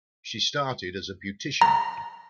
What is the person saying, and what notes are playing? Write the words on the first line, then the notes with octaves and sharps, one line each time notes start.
She started as a beautician.
A#5